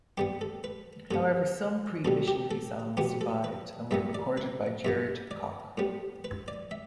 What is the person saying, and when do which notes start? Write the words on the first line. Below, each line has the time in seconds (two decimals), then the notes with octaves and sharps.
However some pre-missionary songs survived and were recorded by Gerd Koch.
0.18 G2 G3 B3 G4
0.41 A4
0.64 B4
1.11 G2 D3 B3 A4
2.05 E2 B2 G3 A4
2.28 G4
2.51 A4
2.97 E2 B2 B3 G4
3.21 A4
3.44 B4
3.91 G2 G3 B3 E5
4.15 D5
4.37 B4
4.85 G2 D3 B3 E5
5.31 D5
5.78 A2 G3 B3
6.24 B4
6.48 D5
6.71 E5